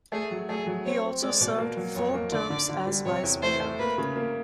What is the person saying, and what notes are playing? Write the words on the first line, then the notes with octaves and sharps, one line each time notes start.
He also served four terms as vice-mayor.
A3 G#4
F#3
A3 G#4
F#3
C4 C#5
C4
G#3 D5
B2
A#3
F#3
F2 C#5
A#3
D3 D5
D3
D3
G3
C3 C#5
E2
A3 C5
A3
A#3 B4
C#3
A#3